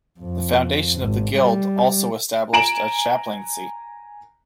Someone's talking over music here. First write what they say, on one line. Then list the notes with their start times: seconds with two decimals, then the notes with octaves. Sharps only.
The foundation of the guild also established a chaplaincy.
0.20 F2
1.00 G#1
1.36 G3
2.53 G#5 A#5 D7 E7 F#7